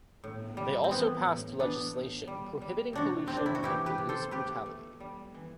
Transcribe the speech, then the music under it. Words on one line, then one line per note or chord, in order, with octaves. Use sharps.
They also passed legislation prohibiting pollution and police brutality.
A2
G3
C4
E3 B3
A2
E3 B3 D4
A2
G3
G3
C3 D4 F#4
C3 C4
D4
E4
F#4
E3 E4 G4
G4 B4
C3
A4 C5
A3 G4 B4
A3
G3
E3